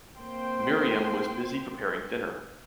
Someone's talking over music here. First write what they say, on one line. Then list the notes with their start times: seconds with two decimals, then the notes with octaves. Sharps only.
Miriam was busy preparing dinner.
0.18 A#3 C4 C5 G5 C6